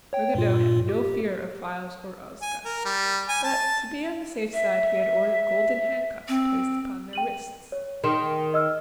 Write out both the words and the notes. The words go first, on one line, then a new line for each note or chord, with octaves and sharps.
Ruggedo had no fear of Files or Ozga, but to be on the safe side he had ordered golden handcuffs placed upon their wrists.
C#5 G5
G2 A#2 F4
G4
G#5
A#4
G3
G#5
A5
E5
C4
G5 D#7 F#7
C#5
D#3 G#4 C6 E7
D#5 E6 F6